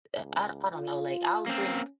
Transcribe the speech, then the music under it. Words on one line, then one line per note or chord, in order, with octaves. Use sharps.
uh, I I don't know, like, I'll drink
C#2
F4
A#3 C4 C#4